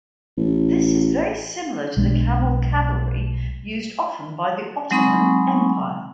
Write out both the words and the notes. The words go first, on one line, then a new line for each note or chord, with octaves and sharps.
This is very similar to the camel cavalry used often by the Ottoman Empire.
A1
B1 G#3 D4
F#3 G#3 C4 D#4 B5 C#6